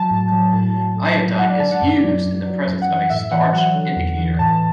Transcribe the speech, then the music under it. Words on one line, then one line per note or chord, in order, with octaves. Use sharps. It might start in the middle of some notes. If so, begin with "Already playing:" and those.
Iodine is used in the presence of a starch indicator.
Already playing: F#3 A5
A2
F#3
A2 A5
F#3
A2
F#3
F#3 F#5
D5
D3 A5
F#5
F#2 D5
F#3
F#2
F#3
F#2
F#5
E3
F#5
A2 E5
E3 F#5
F#3 F#5
D3
E2
E3
A2 A5